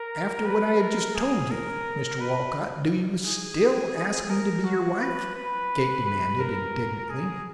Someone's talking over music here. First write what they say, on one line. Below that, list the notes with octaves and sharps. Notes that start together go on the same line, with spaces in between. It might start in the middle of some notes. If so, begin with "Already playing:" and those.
"After what I have just told you, Mr. Walcott, do you still ask me to be your wife?" Kate demanded, indignantly.
Already playing: A#4
B4
A#4
G#4
A#4
B4
G#4
A#4
F#4
B4
B4
B4
A#4
G#4